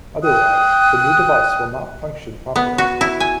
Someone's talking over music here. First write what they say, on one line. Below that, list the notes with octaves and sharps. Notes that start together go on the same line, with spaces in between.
Otherwise, the new device will not function properly.
G5 D#6 F#6
B3
F#4
E4
G#5